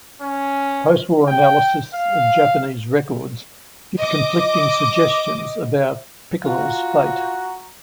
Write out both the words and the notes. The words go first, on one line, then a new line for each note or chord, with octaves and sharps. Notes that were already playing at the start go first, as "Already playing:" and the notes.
Post-war analysis of Japanese records give conflicting suggestions about "Pickerel"s fate.
C#4
G5
F5
D#5 D6
F4 F#4 F#5 A#5